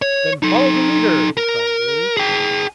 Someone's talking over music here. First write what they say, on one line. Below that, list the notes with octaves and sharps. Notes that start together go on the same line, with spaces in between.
"Then follow the leader," he cried gaily.
C#5
D#4 A4
A#4
G#4 G5